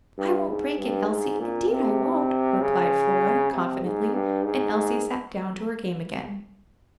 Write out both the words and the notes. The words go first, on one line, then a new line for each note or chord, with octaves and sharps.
"I won't break it, Elsie, indeed I won't," replied Flora, confidently; and Elsie sat down to her game again.
G2
G#2
G2
G#2
A#2
C3
C#3
C3
G#2
G2
G#2